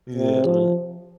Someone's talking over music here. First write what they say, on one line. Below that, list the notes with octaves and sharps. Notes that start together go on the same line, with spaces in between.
Yeah man,
C3
F3